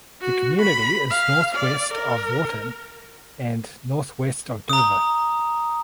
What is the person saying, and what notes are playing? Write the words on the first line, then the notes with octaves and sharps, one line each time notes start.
The community is northwest of Wharton and northwest of Dover.
F#4
B5
F5
D5
A#4
A#5 D#6